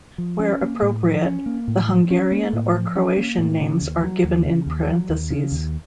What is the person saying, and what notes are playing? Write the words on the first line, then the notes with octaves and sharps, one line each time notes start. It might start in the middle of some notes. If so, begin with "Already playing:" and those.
Where appropriate, the Hungarian or Croatian names are given in parentheses.
F3
C#4
A#3
A2
F3
C#4
A#3
A2
F3
C#4
A#3
A2
F3
C#4
A#3
A2
C#3
D#2
F#3
D#2
C#3
D#2
F#3
D#2
C#3
D#2